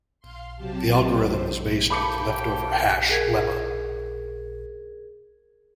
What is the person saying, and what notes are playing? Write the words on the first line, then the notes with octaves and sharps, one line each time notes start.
The algorithm is based on the leftover hash lemma.
F5 C6
C3 F#3 G4 A5
F#2 C5
A#3 G4 A4 C5 G5 B5 D6 C#7
G#4 A#4 G#6